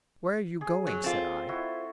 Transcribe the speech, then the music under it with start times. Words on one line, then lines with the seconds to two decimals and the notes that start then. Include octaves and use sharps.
"Where are you going?" said I.
0.61 G#4
0.87 F#3
1.04 C4 F4 A4
1.49 E4 F#4